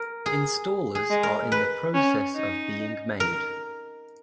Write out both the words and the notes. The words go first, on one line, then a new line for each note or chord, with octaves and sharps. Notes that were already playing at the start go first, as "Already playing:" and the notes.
Installers are in the process of being made.
Already playing: A#4
G#4
G#4
G#3
A#4
B4
C#4
D#4
A#4